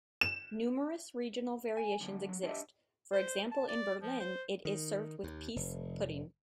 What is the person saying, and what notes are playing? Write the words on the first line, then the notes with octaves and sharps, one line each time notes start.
Numerous regional variations exist, for example in Berlin it is served with pease pudding.
E7
G#5
F#2 D3
F#3
D4 G4 G#4 D#5 E5
C5
A5
D5
F3
C5
D#3
D#2
F1